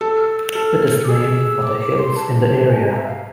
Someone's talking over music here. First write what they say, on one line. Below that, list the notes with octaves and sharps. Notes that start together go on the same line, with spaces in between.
It is named for the hills in the area.
A4 E6
F6
E6
E6
A4 F6
D6
G#4 E6
D6
D6
C6
A5
G#5
A5
G#5
E5
F5